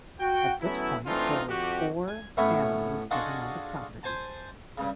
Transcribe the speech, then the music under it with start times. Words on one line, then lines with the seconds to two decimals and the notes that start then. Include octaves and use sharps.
At this point there were four families living on the property.
0.20 F#4 G5
0.62 F#3 A3 B3 C#4 E4
1.07 E3 A3 C4 D4 D#4 F4
1.49 F2 F#4 G4
2.08 G#5
2.37 A2 A3 B3 C#4 C#5 E5
3.11 D4 F4 F#4 G#4 A4 D#5
4.03 C5 G#5 A5
4.78 G2 C#3